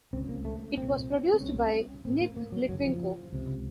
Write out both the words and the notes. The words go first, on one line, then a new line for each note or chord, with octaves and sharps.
It was produced by Nick Litwinko.
C#2 C#3 C4
A#3
A3
C2 A#2 C4
C4
C2 C3 C#4
A1 A2 C4
A#3
A#3
F#3
F#1 F#2 C#3 F#3
F3
C#2 C3